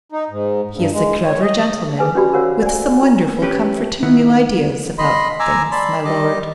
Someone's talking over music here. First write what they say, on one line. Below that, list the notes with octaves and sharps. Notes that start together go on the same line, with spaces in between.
He is a clever gentleman with some wonderful comforting new ideas about things, my lord.
D#4
G#2
G2
G#3
C#5
D#5
G#4 B4 G#5 A5
C#4 F#4 G4 D5 B5
G4 A#4 C5 C#5 F5 F#5
D5 G#5
F4 A#5
C#4 G4 B4
D#3 B3 E4
D#5 B5 C6
G#5 A#5 D6 E6
D5 A5 B5 C6
G3 D#5 D6